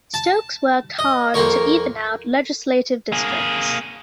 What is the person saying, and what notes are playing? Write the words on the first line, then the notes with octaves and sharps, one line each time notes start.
Stokes worked hard to even out legislative districts.
A5
D#5
F2 A#3 A#4 C#5
A#3 G#4